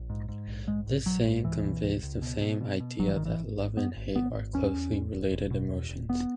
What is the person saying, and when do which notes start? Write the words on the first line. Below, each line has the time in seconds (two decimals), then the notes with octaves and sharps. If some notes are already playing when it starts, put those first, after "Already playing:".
This saying conveys the same idea that love and hate are closely related emotions.
Already playing: A#1
0.10 G#2
0.29 G#2
0.48 A#1
0.67 G#2 G#3
0.86 A#1
1.05 A#1 F#3
1.25 G#2
1.45 C#2 E3
1.64 B2
1.83 C#2
2.03 C#2
2.22 B2
2.41 B2
2.61 B2
2.80 B2
2.99 G#1 F#3
3.08 E3
3.16 G#1 D#3
3.25 E3
3.39 G#1
3.57 G#1
3.76 F#2 B3
3.97 G#1
4.15 G#1 B3
4.35 G#1
4.54 E2 C#4
4.74 E2
4.93 E2
5.12 E1
5.32 E1
5.51 B2
5.70 E2
5.89 E1
6.09 E1 B3